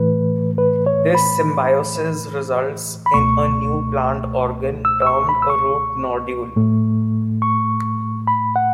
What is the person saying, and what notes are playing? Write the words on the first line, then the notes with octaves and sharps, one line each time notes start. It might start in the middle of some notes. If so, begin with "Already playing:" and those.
This symbiosis results in a new plant organ termed a root nodule.
Already playing: A2 E3 A3 B4
B4
C#5
B5
B5
C#2 B2 A3 C#6
E6
E6
C#6
B5
E6
C#6
A2 A3
C#6
B5
F#5